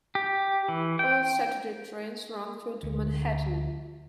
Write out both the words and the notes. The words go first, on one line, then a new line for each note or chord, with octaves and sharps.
All Saturday trains run through to Manhattan.
G4
E3
G5
D2